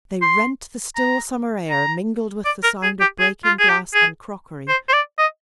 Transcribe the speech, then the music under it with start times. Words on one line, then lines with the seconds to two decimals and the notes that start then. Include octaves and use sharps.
They rent the still summer air, mingled with the sound of breaking glass and crockery.
0.21 C6
0.96 A#5
1.70 A#5
2.45 D5
2.63 A#4
2.82 G#4
3.00 G4
3.19 G#4
3.44 F4
3.59 G#4
3.69 G4
3.94 G#4
4.68 C5
4.89 C5
4.93 D5
5.18 D#5